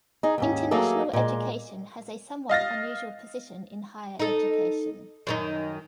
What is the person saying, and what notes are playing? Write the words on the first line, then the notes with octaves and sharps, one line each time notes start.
International education has a somewhat unusual position in higher education.
D#4 G#4
D#2 G#2 C#4
F#3 A3 A#3 G#4 A4
A#2 G#3
D#5 F5 A6 A#6
D#4 A4
F#2 D#3 D#4